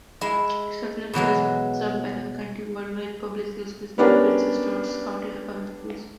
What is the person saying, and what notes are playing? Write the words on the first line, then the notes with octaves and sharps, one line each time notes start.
Suitland is served by the county-wide public school system, Prince George's County Public Schools.
G#3 E4
B2 E3 F#3 G#3
B3 C#4 D4 G4 A#4